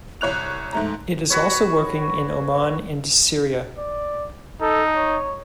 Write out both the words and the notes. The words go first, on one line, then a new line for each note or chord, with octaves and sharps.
It is also working n Oman and Syria.
C2 C#5 F#6 F7
G#2 A3 A#5
F#4 B4 C#5
D5
D#4 A4
C#5